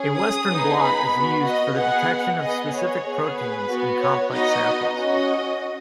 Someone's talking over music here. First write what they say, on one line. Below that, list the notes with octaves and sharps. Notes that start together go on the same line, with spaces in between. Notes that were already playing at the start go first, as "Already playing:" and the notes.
A Western blot is used for the detection of specific proteins in complex samples.
Already playing: C#4 G#4
D#6
B3 D#4 G#4
B5
B3 F#4
D#5
B3 G#4 F#5
B3 G#4 D#5
C#5
B3 G#4
B4
B3 F#4
C#5
B3 D#4 F#4 D#5
C#4 F#4 D#5